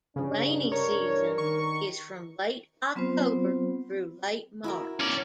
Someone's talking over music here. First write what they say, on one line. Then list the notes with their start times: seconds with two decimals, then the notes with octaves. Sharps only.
The rainy season is from late October through late March.
0.16 G2 C#3 D4
0.72 A#4 C#5
1.38 D#3 C#6
2.95 F#3 B3 C4 F4 C5
4.64 E4 F#4 A#4
5.00 C#4 D5